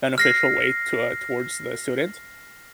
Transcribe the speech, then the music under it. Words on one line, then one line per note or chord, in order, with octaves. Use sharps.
beneficial way to, uh towards the student
F6 A#6 C7